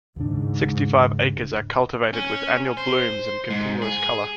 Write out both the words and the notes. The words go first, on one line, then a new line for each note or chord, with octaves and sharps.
Sixty-five acres are cultivated with annual blooms and continuous color.
D#2 G#2 C#3 D4
C#4
C5
G#2
G#4